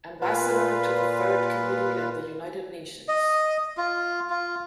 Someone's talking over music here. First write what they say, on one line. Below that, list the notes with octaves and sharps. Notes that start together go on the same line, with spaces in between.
Ambassador to the Third Committee at the United Nations.
A#2 F4 B4
D#5
F4
F4